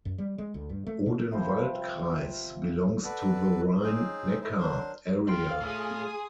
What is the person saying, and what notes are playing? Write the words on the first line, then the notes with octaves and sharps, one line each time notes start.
"Odenwaldkreis" belongs to the Rhine Neckar Area.
F#2
G3
G#3
D2
G2
A3
B2
C3 F3 G3 C5
F#4 A4 B4 D5
C4 C#4 D#4 G#4
D#4 E4 C5
F#3 D4 A#4 C5
C#3 F4 F5 G5 C6
A2 A3 G#4 G#5 D#6